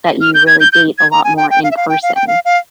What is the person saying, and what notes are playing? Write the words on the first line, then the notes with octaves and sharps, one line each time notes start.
that you really date a lot more in person?
F6
G6
G#6
G6
G6
G#6
A#5
G#5
G5
G5
F5
E5
F5
G5
F5
G5
F5
F5